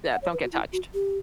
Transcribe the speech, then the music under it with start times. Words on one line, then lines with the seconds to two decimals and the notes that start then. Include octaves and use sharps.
that don't get touched.
0.13 F#5
0.22 C#5
0.32 B4
0.43 F#4
0.53 E4
0.73 F#4
0.94 G4